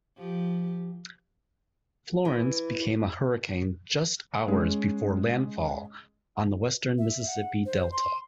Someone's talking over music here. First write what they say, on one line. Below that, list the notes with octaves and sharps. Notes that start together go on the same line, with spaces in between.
Florence became a hurricane just hours before landfall on the western Mississippi Delta.
F3 G4
E3
G#3 C#4 G#4
E5
F#5
C5
C6